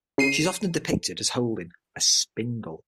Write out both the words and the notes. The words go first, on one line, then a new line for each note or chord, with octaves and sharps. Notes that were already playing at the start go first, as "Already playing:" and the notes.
She is often depicted as holding a spindle.
C#3 C7 D#7